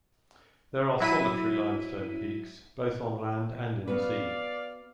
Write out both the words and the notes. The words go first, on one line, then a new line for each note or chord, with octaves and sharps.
There are solitary limestone peaks, both on land and in the sea.
F#3 E4 B6 D#7
B3 F#4 B4 D5 F5